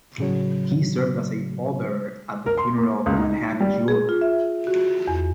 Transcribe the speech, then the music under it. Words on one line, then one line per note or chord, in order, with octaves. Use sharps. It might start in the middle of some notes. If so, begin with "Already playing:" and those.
He served as a pall-bearer at the funeral of the Manhattan jeweler.
A2 C#3 F#3
A#4
C6
A#3
C#2
D#4
G3
G#4
F4
E5
F#4
E2